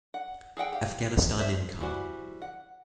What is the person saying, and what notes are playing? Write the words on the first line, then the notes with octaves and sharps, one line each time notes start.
Afghanistan income.
F#5
G#4 A4 F#5 G5
G4 F5
C5 E5
E3 G3 F#4 C5
F#5